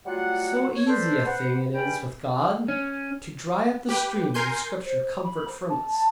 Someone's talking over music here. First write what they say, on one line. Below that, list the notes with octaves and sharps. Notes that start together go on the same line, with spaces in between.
So easy a thing it is with God to dry up the streams of Scripture comfort from us.
F#3 G3 A3 F4 F#4 F#5
C#5
A4 B4 C5 D5
B4 C5 F#5
G2 C#4 G5 B5
C#4
G4 B4 G5
A#4 G#5 C6 G6
C5
C5
B5
C5
A5
A5